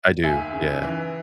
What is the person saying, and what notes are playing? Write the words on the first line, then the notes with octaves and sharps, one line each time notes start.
I do, yeah.
D#2 E5 G#5
C#3
E3